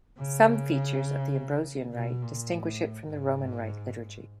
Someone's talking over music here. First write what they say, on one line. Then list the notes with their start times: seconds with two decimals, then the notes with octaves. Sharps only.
Some features of the Ambrosian Rite distinguish it from the Roman Rite liturgy.
0.18 C#3
1.93 B2
2.22 A#2
2.51 A2
3.09 G#2